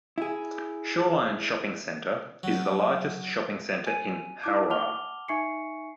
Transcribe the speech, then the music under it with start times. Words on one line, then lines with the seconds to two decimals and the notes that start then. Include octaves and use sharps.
Shoreline Shopping Centre, is the largest shopping centre in Howrah.
0.18 E4 G#4
2.43 F#3
3.87 G#5 D#7
4.44 D#4 E4 D6
4.70 F#5 A5 D6 F6 F7 G7
5.28 D#4 E5 G#5 C#6 C7 C#7